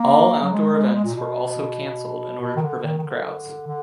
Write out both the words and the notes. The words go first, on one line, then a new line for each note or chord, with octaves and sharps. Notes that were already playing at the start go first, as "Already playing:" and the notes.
All outdoor events were also cancelled in order to prevent crowds.
Already playing: A#3
F#3
G#3
G#3
G#3
A#2
B2
B2
D#3
D3
D#3
D#3
D3
D3